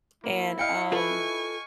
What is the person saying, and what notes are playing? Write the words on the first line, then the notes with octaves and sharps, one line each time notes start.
And, um,
A#3 E4
D#5 F5 G5 C#7
F4 A4 B4 G#5 C#6